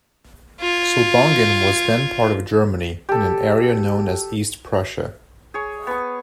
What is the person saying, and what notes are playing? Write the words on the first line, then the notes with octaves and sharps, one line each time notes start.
Selbongen was then part of Germany, in an area known as East Prussia.
F4 G#6
G4 A4
G#4 C#5
B3 C#6